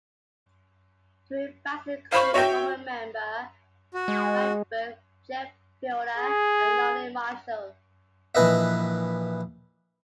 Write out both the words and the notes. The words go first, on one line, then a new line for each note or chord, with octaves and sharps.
Touring bassists include former member Mike Berg, Jeff Fielder, and Lonnie Marshall.
C5 F5 B5 C#6
F#4 C#5 E5 G5
F#4
G#3
G#4
A#1 E3 B4 D#5 E5